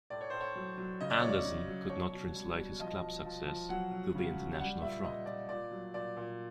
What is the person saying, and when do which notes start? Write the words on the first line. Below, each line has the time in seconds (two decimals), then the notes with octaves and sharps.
Anderson could not translate his club success to the international front.
0.10 A2 D5
0.21 C#5
0.30 A2 C5
0.41 C#5
0.56 F#3
0.78 F#3
1.00 C#3 D#5
1.10 D5
1.20 F#3 C#5
1.29 D5
1.45 C#3
1.68 F#3
1.89 B2 C#5
2.13 B2
2.35 G3
2.58 B2
2.80 F3 D#5
3.02 F3
3.25 F3
3.47 F3
3.69 F#3 F#5
3.91 F#3
4.15 C#3
4.37 F#3
4.59 G3 F#5
4.81 A#2 E5
5.03 A#2 D#5
5.26 A#2 D5
5.48 A#2 D5
5.71 F#3
5.94 A#2 D5
6.16 A#2